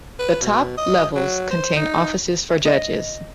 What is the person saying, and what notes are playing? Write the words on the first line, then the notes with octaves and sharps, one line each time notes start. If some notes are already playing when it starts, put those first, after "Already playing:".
The top levels contain offices for judges.
B4
B2
D#5
F#3
C5
D#4
D#5